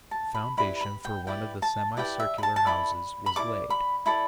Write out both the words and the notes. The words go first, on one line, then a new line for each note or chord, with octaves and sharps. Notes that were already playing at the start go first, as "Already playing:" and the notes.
The foundation for one of the semi-circular houses was laid.
A5
B5
E4 G4 B4 D5 B5
B5
G5
E4 G4 B4 D5 G5
A5
E4 G4 B4 D5 G5
E5
B5
A5
A5
E4 A4 D5 B5
B5
E4 A4 D5 D6
B5
E4 A4 D5 B5